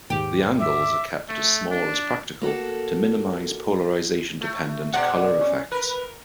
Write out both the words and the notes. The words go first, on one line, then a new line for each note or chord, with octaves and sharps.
The angles are kept as small as practical to minimize polarization-dependent color effects.
D#2 G#2 G4
E5 D6
A3
D4
A#3 F#4 A4
A3
B2 G#3 D5 F#5
C#4
A#4 B4